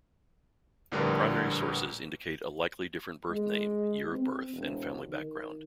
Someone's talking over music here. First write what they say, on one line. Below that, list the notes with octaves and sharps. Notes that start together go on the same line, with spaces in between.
Primary sources indicate a likely different birth name, year of birth and family background.
A#1 A2 D3 G3 A#4 B4
G#3
C4
E1
D#3